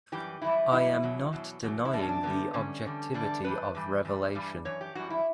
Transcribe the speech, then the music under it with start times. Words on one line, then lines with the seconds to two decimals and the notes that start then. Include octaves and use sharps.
I am not denying the objectivity of revelation.
0.12 F#2 E3 G3 G4
0.42 F#2 E3 G3 E4
0.72 F#2 E3 G3 E4
1.03 E2 B2 F#3
1.33 E2 B2 F#3
1.63 E2 B2 F#3
1.85 E4
1.93 E2 B2 F#3 D4
2.03 C#4
2.09 D4
2.23 E2 D3 G3 B3
2.53 E2 D3 G3 C#4
2.84 E2 D3 G3
3.14 E2 D3 G3 D4
3.44 G2 E3 G3 B4
3.75 G2 E3 G3
4.05 G2 E3 G3
4.35 G2 E3 G3
4.65 F#2 E3 C#5
4.81 G4
4.95 F#2 E3 G3 F#4
5.10 E4